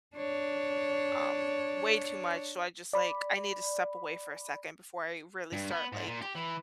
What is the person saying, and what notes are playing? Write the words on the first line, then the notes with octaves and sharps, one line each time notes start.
um, way too much, so I just like I need to step away for a second before I really start like
D4 C#5
D5 B5
G2
B3
G#2
A#2
G4
E3